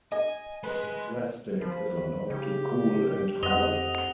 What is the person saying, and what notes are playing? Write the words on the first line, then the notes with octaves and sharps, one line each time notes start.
The plastic is allowed to cool and harden.
D#5 G#5
G#3 B4
F3 B4
C#3 G4
F2 D#5 F#5 F7 G7